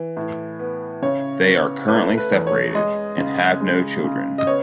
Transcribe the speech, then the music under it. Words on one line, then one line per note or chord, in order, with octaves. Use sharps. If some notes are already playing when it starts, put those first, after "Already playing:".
They are currently separated, and have no children.
Already playing: E3
A2
B3
C#3 C#5
B3
A3 B4
B4
E2
C#5
G#3 D#5
C#3
G#3
C#3
D#5
B3 C#5